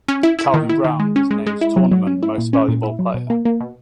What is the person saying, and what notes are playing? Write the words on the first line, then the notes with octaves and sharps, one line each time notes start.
Calvin Brown was named Tournament Most Valuable Player.
C#4
E4
E4
D#3
E4
D#3
G#3
C#4
G#3
G#3
E4
F#3
F#3
C#4
E4
A#2
C#4
A#2
E4
F#3
B2
A#3
A#3
B2